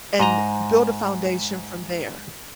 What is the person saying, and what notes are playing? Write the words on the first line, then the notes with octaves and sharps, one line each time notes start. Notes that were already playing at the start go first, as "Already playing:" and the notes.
and build a foundation from there."
G#2 D#5 A#5